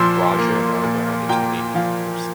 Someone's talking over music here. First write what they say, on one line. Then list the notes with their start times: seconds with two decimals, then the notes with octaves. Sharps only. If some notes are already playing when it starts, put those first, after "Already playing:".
Roger and Rover are the two main characters.
Already playing: A#2 F3 C6 E6
0.39 A#3
0.84 A#2
1.29 A#2 G5 A#5
1.75 F3 F5